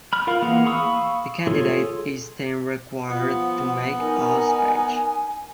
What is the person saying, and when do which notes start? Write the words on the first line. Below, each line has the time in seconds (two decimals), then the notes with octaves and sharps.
The candidate is then required to make a speech.
0.13 B5 F6
0.27 F4 A#4 F5
0.42 E3 A#3 G#4 F5 F#5
0.66 F5 B5 C#6 D#6 E6
1.47 F4 G#4 A4 C#5
3.08 F3 B3 F#5
3.99 D#4 A#4 G#5